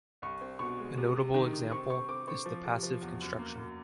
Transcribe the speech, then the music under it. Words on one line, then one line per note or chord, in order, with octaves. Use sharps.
A notable example is the passive construction.
C2 C#6
C4
B2 C#6
G#3
C3
C3
D#3
C3
C4 C#6
C4 C#6
C4 D6
C4 C#6
F3
C3
F3
E2
F#2
A#3
F#2